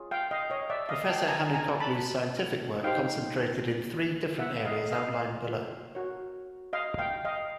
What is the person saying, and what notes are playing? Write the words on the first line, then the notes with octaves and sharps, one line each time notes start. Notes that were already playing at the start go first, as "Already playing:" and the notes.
Professor Hanukoglu's scientific work concentrated in three different areas outlined below.
Already playing: F4 G#4 C#5
F5 G5
D#5 F5
C#5 D#5
D5 E5
D#5 F5
G5 A5
G#5 A#5
G#5 A#5
A5 B5
D#4 G4 C5 F5 G5
E5 F#5
D#5 F5
D#5 F5
F#4 A#4 C#5
D#5 F5
F5 G5
D#5 F5